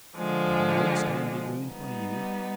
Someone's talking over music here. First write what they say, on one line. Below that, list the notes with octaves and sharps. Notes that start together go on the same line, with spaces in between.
But I won't stay and be ruined by you.
D3 F3 G#3
G3 B3 D#4